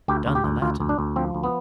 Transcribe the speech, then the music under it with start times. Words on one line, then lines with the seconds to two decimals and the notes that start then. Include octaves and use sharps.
"Done the Latin!"
0.08 D2 G4
0.26 D2
0.35 G4
0.44 D2
0.62 D2 F4
0.80 D2
0.89 D4
0.99 D2
1.16 F3 C4
1.34 D2
1.43 B3